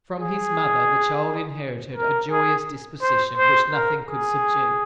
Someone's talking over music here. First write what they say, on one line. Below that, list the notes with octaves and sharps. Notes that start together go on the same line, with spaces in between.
From his mother the child inherited a joyous disposition which nothing could subdue.
G#4
A#4
G#4
C5
C5
A#4
G#4